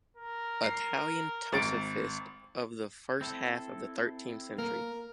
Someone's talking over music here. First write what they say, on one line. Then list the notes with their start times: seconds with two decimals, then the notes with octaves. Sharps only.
Italian tosafist of the first half of the thirteenth century.
0.17 A#4
0.64 C7
1.52 G#1 A6 D7
3.21 C4 E4 A4
4.58 A#3 A#4